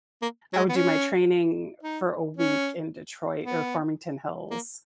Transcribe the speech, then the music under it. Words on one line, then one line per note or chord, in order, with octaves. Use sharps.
I would do my training for a week in Detroit or Farmington Hills.
A#3
F#3
G#3
B3
C#4
D#4
C#4
B3
A#3